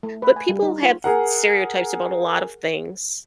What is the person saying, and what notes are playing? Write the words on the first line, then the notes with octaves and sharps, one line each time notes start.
But people have stereotypes about a lot of things
A3
B4
G#5
G3
D#4
F4
G#4 A#4 F#5